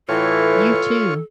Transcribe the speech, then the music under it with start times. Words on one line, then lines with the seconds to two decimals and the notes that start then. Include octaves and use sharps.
You too.
0.09 A2 E3 F4 A4 C#5